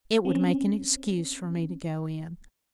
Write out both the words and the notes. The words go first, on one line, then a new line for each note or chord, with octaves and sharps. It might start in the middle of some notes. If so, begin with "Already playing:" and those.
It would make an excuse for me to go in.
C4 C#4